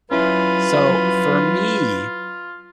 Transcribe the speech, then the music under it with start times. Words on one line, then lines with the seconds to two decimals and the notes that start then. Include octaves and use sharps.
So, for me,
0.11 F#3 C#4 E4 F4 B4